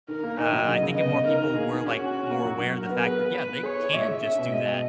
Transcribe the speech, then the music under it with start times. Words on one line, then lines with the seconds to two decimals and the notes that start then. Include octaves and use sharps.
uh, I think if more people were, like, more aware of the fact yeah, they can just do that,
0.08 D#3 A#4
0.23 A#3
0.38 D#3 D#5
0.53 F#3
0.67 C#3 D#5
0.82 C#3
0.97 B3 D#5
1.12 C#3
1.27 D#4 A#4
1.42 D#3
1.57 A#3 G#4
1.72 D#3
1.86 C#4 F#4
2.01 C#4
2.16 C#4
2.31 A#3
2.45 F#3
2.60 F#3
2.75 F#3 A#4
2.90 B3
3.05 G#4 B4
3.19 B3
3.34 B3 B4
3.49 B3
3.63 G#4 C#5
3.79 E4
3.94 A#2 E5
4.08 G#4
4.23 C#4 E5
4.38 B2
4.52 G#3 D#5
4.68 B2